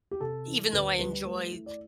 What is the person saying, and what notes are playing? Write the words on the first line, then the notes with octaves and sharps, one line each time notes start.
even though I enjoy
G4
C3 A4
E3
A4
D2 B4
G3 B4
A3 B4
E4
D5